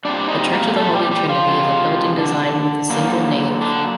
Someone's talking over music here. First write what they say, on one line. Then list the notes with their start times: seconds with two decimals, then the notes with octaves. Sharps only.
The church of the Holy Trinity is a building design with a single nave.
0.05 A#2 G3 C4 D4 D5
0.28 D#4 D#5
0.52 A#3 A#4
0.76 A3 A4
0.93 G3 G4
1.12 G3 G4
1.29 F3 F4
1.47 C3 F3 G#3
2.18 D3 D4
2.90 D3 F#3 A#3
3.61 D3 D4